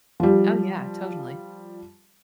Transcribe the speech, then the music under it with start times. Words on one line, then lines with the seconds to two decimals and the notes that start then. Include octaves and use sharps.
Oh, yeah, totally.
0.20 F3 G3